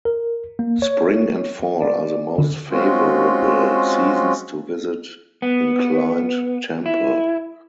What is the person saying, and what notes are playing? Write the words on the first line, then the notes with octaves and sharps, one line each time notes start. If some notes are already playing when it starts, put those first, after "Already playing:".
Spring and fall are the most favorable seasons to visit Inclined Temple.
A#4
A#3
C#5
D5
D3
G#3 C4 C#4 F4 F#4
B3
E4